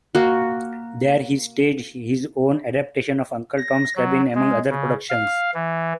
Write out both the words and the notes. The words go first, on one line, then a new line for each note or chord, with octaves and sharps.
There he staged his own adaptations of "Uncle Tom's Cabin" among other productions.
A#3 F#4
A#6
F#3
G#3
C#3
F5
E3